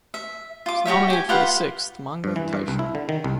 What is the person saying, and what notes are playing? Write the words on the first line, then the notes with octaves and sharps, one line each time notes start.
It was nominated for the sixth "Manga Taisho".
E5
F4 D6
F#4 G4 C#5 E5
G4 G#5
F4 G4 B4 F#5
G2
E3
G2
C2
E4
D3
D#3
C2